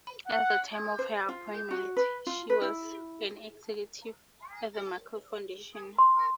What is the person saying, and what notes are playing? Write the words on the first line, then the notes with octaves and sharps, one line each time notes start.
At the time of her appointment, she was an executive at the Markle Foundation.
F#5
C5
F4
F#4
B4
F4
B4
E4
C6